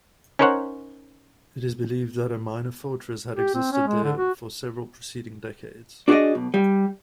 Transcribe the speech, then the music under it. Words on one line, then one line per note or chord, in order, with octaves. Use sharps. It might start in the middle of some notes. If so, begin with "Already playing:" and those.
It is believed that a minor fortress had existed there for several preceding decades.
C#4 D#4 A#4 C5 C#5 F#5
G4
C4
C#4
G#3
D3
F#4
D4 F#4 G#4 C5 D5 D#5
B1 B2
G3